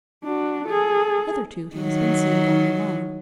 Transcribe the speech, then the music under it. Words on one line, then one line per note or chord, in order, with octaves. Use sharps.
Hitherto he has been seen going alone.
D4 F#4
G#4 A4
D#3 F#3